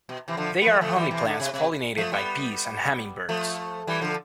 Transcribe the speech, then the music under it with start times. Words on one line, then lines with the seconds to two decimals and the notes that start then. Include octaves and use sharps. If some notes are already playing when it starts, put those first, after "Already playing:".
They are honey plants pollinated by bees and hummingbirds.
0.09 B2
0.28 C3 E3
0.37 D3 F3
0.61 B3
0.66 F3 A3
0.81 F3 A3
0.95 E3 G3
1.11 C3 E3
1.25 D3
1.40 C3
1.54 C3
1.98 F3 A3
2.12 G3 B3
3.29 F3 A3
3.87 E3 G3
4.01 D3 F3